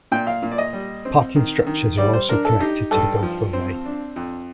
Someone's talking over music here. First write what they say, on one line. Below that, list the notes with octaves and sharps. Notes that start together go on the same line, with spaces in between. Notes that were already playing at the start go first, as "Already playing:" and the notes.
Parking structures are also connected to the Gopher Way.
A#2 G5
F5
A#2
D5
D#5
G3
C4
D#3
D#3
G3 D5
C5
D4 A#4
A4
D#4 G4
G2 A4
F3
C4
D4
F2